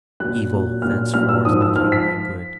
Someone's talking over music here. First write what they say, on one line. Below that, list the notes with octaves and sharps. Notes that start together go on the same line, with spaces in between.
Evil thenceforth became my good.
A#2 F#3 F#6
A#2 F#3
A#2 F#3 F6
A#2 F#3 F6
E6
G#2 F3 D#6
E6
G#2 F3 F6
B6